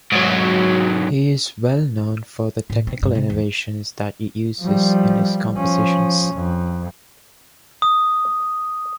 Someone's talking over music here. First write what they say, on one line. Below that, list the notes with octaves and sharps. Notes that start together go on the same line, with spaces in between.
He is well known for the technical innovations that he uses in his compositions.
G#2 F#3
A2
C4
G2
C3
E2
F3 G3
F3 C#4
F2
D#6